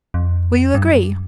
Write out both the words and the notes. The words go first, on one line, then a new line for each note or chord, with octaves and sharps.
Will you agree?
F2
G2
F#2